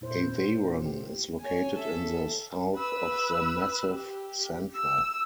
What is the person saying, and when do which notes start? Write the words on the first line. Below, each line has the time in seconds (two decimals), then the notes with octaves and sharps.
Aveyron is located in the south of the Massif Central.
0.01 A#2 E4 C5
0.85 G4
1.39 C#5 G#5
1.74 A4 E5
2.76 B4 E6
3.90 G4
4.74 E6